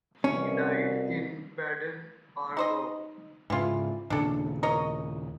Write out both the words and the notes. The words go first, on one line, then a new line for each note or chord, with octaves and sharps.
He died in Baden, Aargau.
C2 B2 C#4
D#4 C5 D#5
G#2 C#3 E3 F4
D#2 A#2 C#3 D4 A4
A#4 C#5 D#5